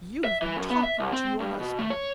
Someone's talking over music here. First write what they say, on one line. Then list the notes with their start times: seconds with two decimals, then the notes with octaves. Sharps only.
You have been talking to your husband!'
0.25 E5
0.42 E3
0.56 F#2
0.70 B3
0.83 E5
1.00 C2
1.12 C4
1.40 G2
1.60 B2
1.79 A3
1.90 C#5